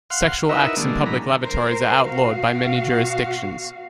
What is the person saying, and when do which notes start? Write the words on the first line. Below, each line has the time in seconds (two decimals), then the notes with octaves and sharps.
Sexual acts in public lavatories are outlawed by many jurisdictions.
0.10 F5 F#5 C6
0.49 D#4 E4 F#4 A#4 B4 E5
0.77 D3 G3 G#3 A#3 D4
1.06 A2 E3 F#3 G#3 A#5 B5
1.42 A#4 C5
2.03 B2 F#4 F5